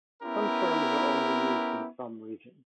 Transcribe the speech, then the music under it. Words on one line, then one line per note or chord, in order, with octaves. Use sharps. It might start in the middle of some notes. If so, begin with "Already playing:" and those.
Some terms are only used in some regions.
B3 C#4 E4 G4 A#4